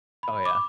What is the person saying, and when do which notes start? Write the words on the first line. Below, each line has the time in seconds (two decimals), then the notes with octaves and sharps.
Oh, yeah.
0.23 B5
0.46 D6